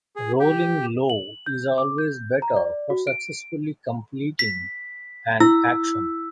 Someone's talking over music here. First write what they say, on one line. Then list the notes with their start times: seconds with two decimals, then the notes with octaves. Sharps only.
Rolling low is always better for successfully completing an action.
0.16 G#4
0.40 G4
1.10 F#7
1.46 G6
1.78 D6
1.98 G6
2.42 A#5
2.56 D5
2.90 F#4
3.07 D7
4.39 B6
5.40 E4 E6